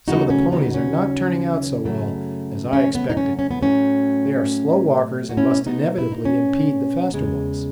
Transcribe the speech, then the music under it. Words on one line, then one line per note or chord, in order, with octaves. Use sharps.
Some of the ponies are not turning out so well as I expected; they are slow walkers and must inevitably impede the faster ones.
D#2 C#3 F#3 A3 D#4 F#4
C#4
B3 D#4
C#4
F#2 C#3 F#3 A3
C#4
B3
D#4
C#4
C#4
B3
A2 F#3 A3 C#4
F#4
B2 A3 C#4 E4
B3 D#4
E4
D#4
C#4
E2 C#3 G#3